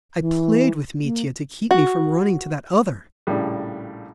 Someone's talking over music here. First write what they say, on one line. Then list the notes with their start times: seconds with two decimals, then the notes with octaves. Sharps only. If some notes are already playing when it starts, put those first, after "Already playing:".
I played with Mitya to keep me from running to that other.
0.19 E3
1.03 A#3
1.71 F#4
3.27 A#1 A2 C#3 G3